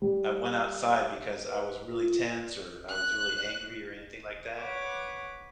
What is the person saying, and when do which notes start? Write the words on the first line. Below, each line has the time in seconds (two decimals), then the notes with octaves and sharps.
I went outside because I was really tense," or, "I was really angry," or anything like that?
0.02 G3
1.46 B4
1.90 F4
2.89 F#6
4.57 B4 C#5 F#5 D6